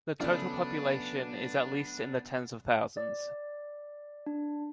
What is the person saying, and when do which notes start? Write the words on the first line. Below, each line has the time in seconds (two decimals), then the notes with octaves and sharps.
The total population is at least in the tens of thousands.
0.20 C#3 F#3 A3 B3 D4 D5 F6
2.97 D5
4.26 D4